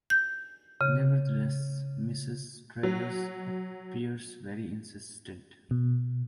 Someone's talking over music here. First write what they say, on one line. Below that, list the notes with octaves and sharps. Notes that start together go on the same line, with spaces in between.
Nevertheless, Mrs. Travers appears very insistent.
G6
C#3
F#3
B2